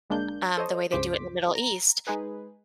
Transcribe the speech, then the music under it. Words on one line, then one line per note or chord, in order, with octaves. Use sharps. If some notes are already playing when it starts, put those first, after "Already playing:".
Um, the way they do it in the Middle East,
G1 G#3 A#3 D4 G6
A4 C5 C#5 D#5
C#2 G2 C#3 C5 D6 B6
A#5
G#3 D#4 G#4 B4